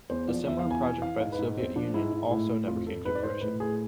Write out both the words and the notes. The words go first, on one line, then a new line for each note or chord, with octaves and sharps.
A similar project by the Soviet Union also never came to fruition.
E2 C5
F3 D5
E2 E5
F5
E3
G#5
F2 G#5
E3 F5
G#2 F5
B4
G#2
E2 C4
F3 D4
G#2 E4
G#2
A2 E4
A2
F2 F4
F2 A4
G#2 B4
D5
G#2 C5
A2 B4
A2 G#4